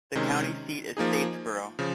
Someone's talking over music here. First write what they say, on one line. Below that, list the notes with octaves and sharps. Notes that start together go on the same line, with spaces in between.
The county seat is Statesboro.
C3 D#3 G#3 C#4
F3 A#3 D#4 G#4
C#3 F3